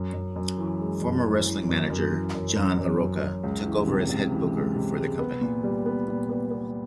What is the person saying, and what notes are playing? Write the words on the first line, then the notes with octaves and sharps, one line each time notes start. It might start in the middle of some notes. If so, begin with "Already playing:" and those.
Former wrestling manager John LaRocca took over as head booker for the company.
Already playing: F#2
F#2
F#2
E3
G#3
F#2
E3
E3
F#2
F#2
E3
F#2
F#2
F#2
F#2
F#2
C#2
E3
C3
C#2
E3
G#3
C3
G#3
B3
A#2
G3
B3
A#2
B3
B3